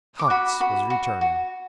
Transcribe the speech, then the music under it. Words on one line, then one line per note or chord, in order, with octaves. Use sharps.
Hans was returning.
D6
F#4 B5
F#4 B5
F#4
F#4